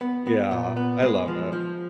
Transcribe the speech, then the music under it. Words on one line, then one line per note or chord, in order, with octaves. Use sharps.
Yeah, I love it.
B3
B3
A#2
B3
G#3
F3
F3